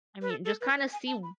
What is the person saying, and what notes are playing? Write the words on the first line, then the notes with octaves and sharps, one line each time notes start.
I mean, just kinda see w
B4
A4
A4
B4
C#5
G#5
A5
B5